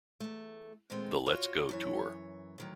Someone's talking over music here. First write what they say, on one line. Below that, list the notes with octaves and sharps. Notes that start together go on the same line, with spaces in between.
The Let's Go Tour.
E2 A3
A#2 D#3 G#3 A3 B3 C4
F4 F#4 C#5
F#2 E3 C#5
D2 D#3 F#3